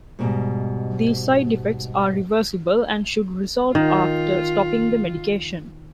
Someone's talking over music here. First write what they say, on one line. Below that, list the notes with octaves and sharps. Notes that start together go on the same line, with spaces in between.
These side effects are reversible and should resolve after stopping the medication.
G#2 B2 G3
D#3 F4